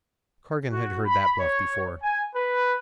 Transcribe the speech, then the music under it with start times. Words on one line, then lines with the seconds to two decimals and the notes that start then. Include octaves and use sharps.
Cargan had heard that bluff before.
0.71 F#4
1.05 B5
1.39 C#5
2.02 G#5
2.34 B4